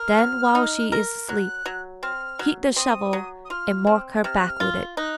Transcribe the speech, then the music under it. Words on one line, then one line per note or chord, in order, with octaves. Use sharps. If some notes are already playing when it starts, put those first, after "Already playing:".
Then, while she is asleep, heat the shovel and mark her back with it.
Already playing: A#4 F6
F#3
D#4
A#4
F#3 F#6
F#3
C4 F6
F#3
C4 D#6
F#3
D#6
F4 F6
C4
C3 F6
F#6
F6
F4
D#4 F#6